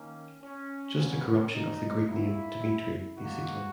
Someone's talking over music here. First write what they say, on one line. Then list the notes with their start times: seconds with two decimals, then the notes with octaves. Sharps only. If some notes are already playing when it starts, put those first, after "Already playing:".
Just a corruption of the Greek name "Dimitri," basically.
Already playing: D#3 A#3 C#4
0.42 C#4
0.97 A#2 G#3 B3 C#4
1.52 D#4
2.07 A#2 F#3 A#3 E4
3.17 D#3 A#3 F#4